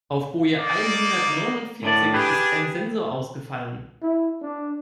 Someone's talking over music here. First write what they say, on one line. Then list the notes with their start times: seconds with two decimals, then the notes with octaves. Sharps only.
Auf Boje einhundertneunundvierzig ist ein Sensor ausgefallen.
0.58 A#3 D#4 D5
1.83 A2 D4 D5
2.14 D4 G4 G#4 B4
4.02 E4
4.42 D4